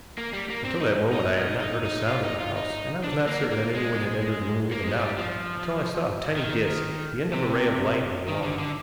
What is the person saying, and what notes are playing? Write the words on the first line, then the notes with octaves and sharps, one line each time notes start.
Until that moment I had not heard a sound in the house, and I was not certain that anyone had entered the room even now, until I saw a tiny disk, the end of a ray of light, on the wall.
A#3
G3
A#3
C4
D#4
D#4
D#4
D#4
D#4
F4
D#4
F4
D#4
D4
A#3
A#3
G#3
A#3
G#3
G3
F3
D#3
C3
D#3
D3
D3